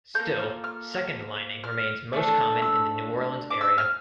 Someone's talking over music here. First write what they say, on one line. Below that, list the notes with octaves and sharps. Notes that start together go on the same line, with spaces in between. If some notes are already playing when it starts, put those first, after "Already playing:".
Still, second lining remains most common in the New Orleans area.
A#3 F4 A4 G6
F6
F6
F6
A3 D4 A4
E6
D6
E6
F6